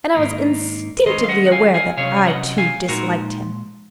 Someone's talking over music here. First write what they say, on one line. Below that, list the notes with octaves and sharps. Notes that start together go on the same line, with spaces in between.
And I was instinctively aware that I too disliked him.
G#2 D#3 A#3 D#4
D#3 G#3 C#4 C5 D#5
F5
D#5 F#5
F#5
F5 G#5
F5 G#5
C3 F#3 C#4 C#5 F5
G#5
D#5 F#5
F5 G#5
A#2 G#3 D#4 F#4 A#4